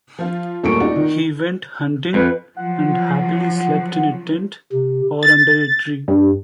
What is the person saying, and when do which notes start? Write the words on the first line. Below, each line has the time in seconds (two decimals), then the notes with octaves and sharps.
He went hunting and happily slept in a tent or under a tree.
0.19 F3 F4
0.63 D#1 F#2 A3 A#3 C#6 D7
0.80 D#4 F#4 D5
0.96 D#3
2.14 F2 B4
2.56 F3 F#3 F#5
4.72 C3
5.23 A6
6.08 G2